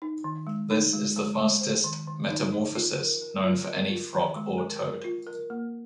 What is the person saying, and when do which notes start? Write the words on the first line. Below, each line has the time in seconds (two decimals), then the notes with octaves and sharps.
This is the fastest metamorphosis known for any frog or toad.
0.02 D#4
0.24 D#3
0.47 G#3
0.70 D#4
0.93 G#3
1.16 G#3
1.38 G#3
1.61 C5
1.84 D#3
2.07 D#3
2.30 D#4
2.53 D#4
2.75 F4
2.98 A#4
3.21 A#4
3.44 F4
3.67 A#4
3.90 F4
4.13 D#3
4.36 G#3
4.58 A#4
4.81 A#4
5.04 F4
5.27 A#4
5.50 A#3